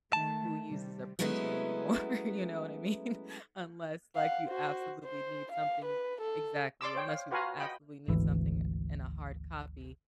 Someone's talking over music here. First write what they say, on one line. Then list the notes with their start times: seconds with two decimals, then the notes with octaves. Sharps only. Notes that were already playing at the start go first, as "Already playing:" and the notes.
w who uses a printer anymore, you know what I mean? Unless, like, you absolutely need something exactly, unless you absolutely need something in a hard copy,
0.13 D#3 A3 A5
0.69 C3 G3
1.19 F#3 G#3 A3 B3 C#4 E4
4.15 F5 F#5
4.47 F#4 C5
5.05 C5
5.52 F5
5.85 B4
6.21 A4
6.81 D5 C6 D6 E6
6.95 C5 C#5 G5
7.08 F5
7.31 F4 F#4 B4 F5 G#5 A#5
7.59 D#5 F#5 G5 B5
8.08 G#1 D2 E3